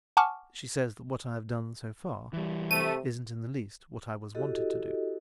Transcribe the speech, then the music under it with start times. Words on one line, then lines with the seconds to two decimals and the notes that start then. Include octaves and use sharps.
She says what I have done so far isn't in the least what I was wanted to do.
0.17 F#5 G#5 A5 C#6 D6 F6
2.33 E3 G3
2.71 C3 A3 D#7
4.35 E4 F#4 G4 A4 D#5